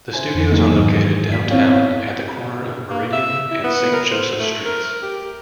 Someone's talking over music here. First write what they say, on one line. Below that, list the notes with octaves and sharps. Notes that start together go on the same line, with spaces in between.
The studios are located downtown at the corner of Meridian and Saint Joseph Streets.
C#3 E4 C5 G#5
F2 E3
D#3 F#3 A#3 B3 D#4
G#2
F#2 B6
B3 C4 E4 C#5 F5
A#3
E5
E4
B3
A#4
C5
A3
A#4
G4